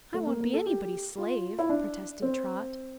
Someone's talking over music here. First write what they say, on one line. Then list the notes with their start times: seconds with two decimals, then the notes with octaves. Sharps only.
"I won't be anybody's slave," protested Trot.
0.14 A3
0.27 A#3
0.40 A#3
0.54 A4
0.66 G4
1.18 F4
1.59 E4
1.69 D4
2.22 C4